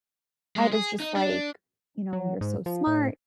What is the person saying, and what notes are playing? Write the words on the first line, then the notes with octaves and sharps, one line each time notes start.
I was just like, you know, "You're so smart"
G#3
G#4
D#4
D4
F#3
G#2
F3
A2